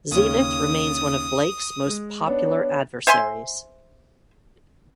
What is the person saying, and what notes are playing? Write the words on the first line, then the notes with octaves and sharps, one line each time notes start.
Zenith remains one of Blake's most popular adversaries.
D#2 C#3 C#4 D#6
G#3
B3 D4 C#5
C5 E5 G#5 C6